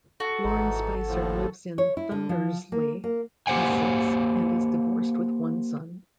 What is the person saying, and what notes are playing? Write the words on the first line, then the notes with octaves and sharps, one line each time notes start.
Lorne Spicer lives in Thundersley, Essex, and is divorced with one son.
F#4 A4
G#1 G#2 E3 D#4
D#2 A2 F3
C#5
E4
D3
F3
A#3
A#3
A#3 G4 C5 F#5 G#5